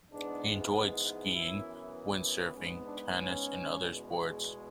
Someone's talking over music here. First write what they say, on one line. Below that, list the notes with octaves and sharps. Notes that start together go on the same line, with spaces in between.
He enjoyed skiing, wind surfing, tennis, and other sports.
G#2 E3 G#3 B3 D4
F#2 E3 B3 E4
G#2 G#3 B3 C#4
D4
C#4
E2 B2 G#3